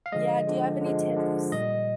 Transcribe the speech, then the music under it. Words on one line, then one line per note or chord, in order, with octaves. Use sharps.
Yeah, do you have any tips?
F5
D3 F3 G#3 D#5
D3 F3 G#3
D3 F3 G#3
D3 F3 G#3
A#2 G3 D#5